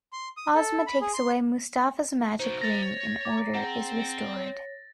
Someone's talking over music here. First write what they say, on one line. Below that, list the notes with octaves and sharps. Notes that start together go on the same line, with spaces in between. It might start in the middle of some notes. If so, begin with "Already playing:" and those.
Ozma takes away Mustafa's magic ring and order is restored.
C6
D#6
A4
B5
G#4
C6
D#4 F#4 C5
E5 A#5 A6 A#6
C#5
A#5 D6
C4 G#4 F#5 A#5
C#5